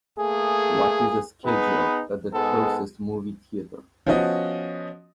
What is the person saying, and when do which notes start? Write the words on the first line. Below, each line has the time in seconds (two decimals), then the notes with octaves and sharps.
What is the schedule at the closest movie theatre?
0.18 A3 A#3 G#4
1.44 B3 D#4 G#4 B4
2.33 G#2 G#3 B3 A4
4.07 F3 B3 C#4 F#4 D#5